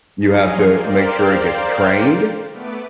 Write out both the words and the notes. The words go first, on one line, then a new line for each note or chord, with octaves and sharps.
you have to make sure it gets trained,
F3 F#3 D#5 G#5 F6 C7
A#4 C5 D5 F5 G5
A3 B3 B4 D6